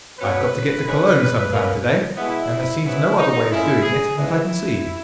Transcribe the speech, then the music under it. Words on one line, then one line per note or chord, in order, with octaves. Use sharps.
"I've got to get to Cologne some time to-day, and there seems no other way of doing it that I can see."
B2 F#3 C#4 B4
D#3 G#3 C#4
B2 A#3 C#4
B2 G#3 B3 E4
G#2 F#3 B3 E4
D#4
A#2 G#3 C#4 E4
G#4
G#2 E3 G#3 B3 E4